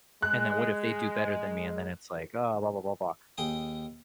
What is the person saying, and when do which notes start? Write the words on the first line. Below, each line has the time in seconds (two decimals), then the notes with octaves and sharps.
And then what if they do better than me?" And then it's like, "Oh, blah, blah, blah, blah."
0.22 G#3 F#6
3.38 D#2 G#4 G5 D#6